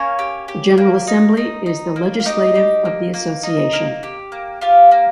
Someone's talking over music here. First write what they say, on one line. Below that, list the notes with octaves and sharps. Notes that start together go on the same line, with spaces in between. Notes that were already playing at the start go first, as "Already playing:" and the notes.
The General Assembly is the legislative of the association.
Already playing: A#3 C#4 C#5
G4
G4
A#3
D#4
D#4
D#4
A#3
F5
D#4 G4 D#5
G4
A#3
A#3
D#4
A#3
G4
A#3
F4 G4 F5
A#3